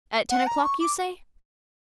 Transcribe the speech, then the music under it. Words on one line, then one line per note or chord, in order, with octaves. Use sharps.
"At ten o'clock, you say?"
F#5
A#5
C#6
D6